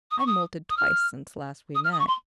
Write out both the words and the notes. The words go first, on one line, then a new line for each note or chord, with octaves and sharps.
I've moulted twice since last we met.
D#6
C#6
D#6
D#6
F6
D#6
F6
D#6
C#6
C6